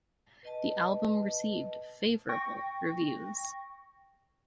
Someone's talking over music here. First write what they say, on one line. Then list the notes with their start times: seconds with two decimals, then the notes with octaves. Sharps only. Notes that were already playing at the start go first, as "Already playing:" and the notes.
The album received favorable reviews.
0.43 B4 D#5 A5
2.29 G5 C#6 A#6